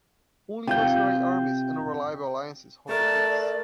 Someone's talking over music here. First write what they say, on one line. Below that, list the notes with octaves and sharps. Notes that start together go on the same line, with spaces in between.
Only mercenary armies and unreliable alliances hold the peace.
C3 F4 G5 G6
A3 A#4 D5 A5